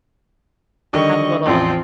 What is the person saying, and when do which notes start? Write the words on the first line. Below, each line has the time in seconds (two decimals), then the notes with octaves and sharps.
have a little
0.93 D3 D#3 G3 D#5 C#6
1.45 A1 E2 F3 C4